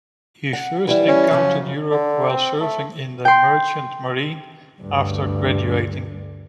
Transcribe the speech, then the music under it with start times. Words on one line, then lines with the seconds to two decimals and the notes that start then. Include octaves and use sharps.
He first encountered Europe while serving in the Merchant Marine after graduating.
0.53 F#5
0.87 E3 G3 E4
1.08 C#4
1.31 F#2 C#3 F3
1.91 D3
2.30 C4
2.61 A3
3.25 G5 C6
4.82 D2 G2